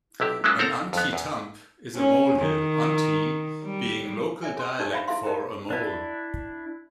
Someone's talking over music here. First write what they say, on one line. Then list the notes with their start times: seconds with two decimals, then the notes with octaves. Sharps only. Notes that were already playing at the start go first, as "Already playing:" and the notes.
An "unty tump" is a molehill, "unty" being local dialect for a mole.
0.20 B1 C3 E4 G4
0.44 F#3 G#3 A#3 C#4 E4 F4
0.59 C4 A4 A#4 C5 F#5 A#5
0.93 F2 B3
1.13 E2
1.96 C#4
2.39 D#3
3.64 G3
4.43 C#5 D5 E5 G#5
4.57 G#4 C6
4.79 D4 D#4 G4 B4
4.91 C5 D5 E5 F5 A#5 B5
5.08 E4 G#4 E5 F5 C6
5.25 D#4 A#4 C5
5.70 D4 E4